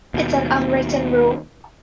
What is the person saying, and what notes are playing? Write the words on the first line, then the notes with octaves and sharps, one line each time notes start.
It's an unwritten rule.
D#2 B2